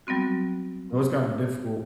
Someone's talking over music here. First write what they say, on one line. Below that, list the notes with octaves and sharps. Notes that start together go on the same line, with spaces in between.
so it's, kinda, difficult,
F#3 G3 B3 C4 F#4